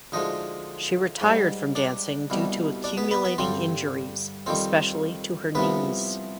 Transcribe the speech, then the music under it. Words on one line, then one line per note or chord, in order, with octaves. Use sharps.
She retired from dancing due to accumulating injuries, especially to her knees.
D2 D3 F3 G#3 D#4 D#5
G#2 G3
D4 D5
C2 B2 G3
D4 D5
B3 B4
B3 B4
B3 B4
G2 D3 G3 C4 C5
F2 D#3 G3 C4 C5
C2 C3 F3 B3 B4